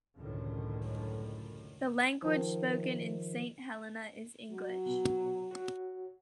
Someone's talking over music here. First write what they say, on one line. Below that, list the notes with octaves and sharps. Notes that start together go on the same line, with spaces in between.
The language spoken in Saint Helena is English.
C#2 F#2 A2 D3 D#3
D#3 F3
F#3
B2
F#4 C#5